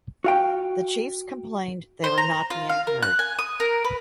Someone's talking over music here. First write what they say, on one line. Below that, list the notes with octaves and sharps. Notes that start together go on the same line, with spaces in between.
The chiefs complained they were not being heard.
F#4 F5 G5
C5
A#5
F4
F5
A#4
F#6
G#5
D#6
A#4
B4